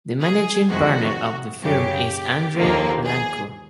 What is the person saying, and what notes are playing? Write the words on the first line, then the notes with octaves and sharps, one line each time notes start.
The managing partner of the firm is Andrei Iancu.
G#4
F2 C3 D#3 G#3 F#4
F#2 C#3 F#3 G4
D#2 D3 F3 A#3
G#4